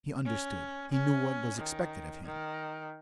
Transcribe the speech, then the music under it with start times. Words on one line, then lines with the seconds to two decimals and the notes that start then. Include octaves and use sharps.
He understood, he knew what was expected of him.
0.25 C#4
0.92 C#4
1.58 D#3
2.24 D#3